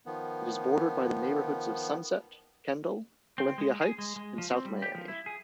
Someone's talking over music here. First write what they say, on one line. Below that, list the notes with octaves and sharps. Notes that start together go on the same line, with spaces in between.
It is bordered by the neighborhoods of Sunset, Kendall, Olympia Heights, and South Miami.
D#3 F3 B3
C4
G#3
G#4
G#3
G#3
F3
C4
G3
G4
F3
E4
G#4